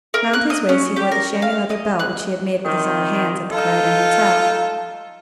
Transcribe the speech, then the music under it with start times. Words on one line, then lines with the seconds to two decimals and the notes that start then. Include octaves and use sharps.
Round his waist he wore the chamois-leather belt which he had made with his own hands at the Clarendon Hotel.
0.14 A#4
0.33 F#6
0.50 D#5
0.69 C#4
0.96 G4
1.11 A#4
1.42 F5
1.70 D#5
1.99 F#6
2.65 C3 D#3
3.52 D#4 F4 A4